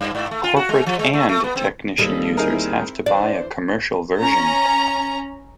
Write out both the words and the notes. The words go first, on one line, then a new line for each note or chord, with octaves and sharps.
Corporate and technician users have to buy a commercial version.
G2
G#2
A3
F4
F#4
G#3
F3
G#3
A3
A3
B3
C4
D#2 G3 A#3 G#4 A4 D#5
C4 D#4 E4 G#4 A#4
E3 D4 C5 D5
C#4 A#5